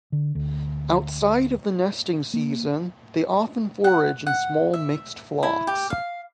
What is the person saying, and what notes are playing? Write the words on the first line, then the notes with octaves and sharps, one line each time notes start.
Outside of the nesting season they often forage in small mixed flocks.
D3
D2
A#3
F#5
F#5
E5
E4
G4
F5